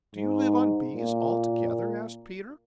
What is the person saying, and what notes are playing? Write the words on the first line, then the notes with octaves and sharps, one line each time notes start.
"Do you live on bees altogether?" asked Peter.
G#2
A#2